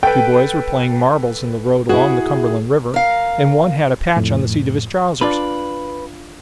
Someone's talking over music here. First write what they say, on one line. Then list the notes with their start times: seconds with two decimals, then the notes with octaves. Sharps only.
Two boys were playing marbles in the road along the Cumberland River, and one had a patch on the seat of his trousers.
0.03 A4 B4 G5
1.89 E4 F#4 G#4
2.94 A#4 F5
4.17 F2 A2
5.21 D4 F4 B4 D5